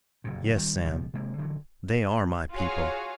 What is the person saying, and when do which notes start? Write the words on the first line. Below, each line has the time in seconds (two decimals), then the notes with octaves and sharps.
"Yes, Sam, they are my people."
0.24 F#1 F2 A#2
0.56 D#3 G3
0.84 C#2 B2 F3
1.14 C3 G#3 A#3
1.38 D3 E3 F#3
2.54 F4 F#4 G#4 C#5 F5